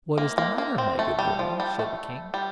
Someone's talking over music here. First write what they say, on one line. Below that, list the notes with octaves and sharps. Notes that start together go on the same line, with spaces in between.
"What is the matter, my good woman?" said the King.
A#3
A#3
A#3
C4
A3
G3
F3
G3
A3
G3